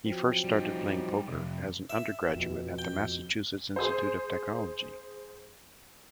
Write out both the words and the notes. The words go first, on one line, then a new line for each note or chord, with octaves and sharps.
He first started playing poker as an undergraduate at the Massachusetts Institute of Technology.
F3 F#3 C4
G3 D#4
F2 C3
E5
F2 B2
G5
G#4 C5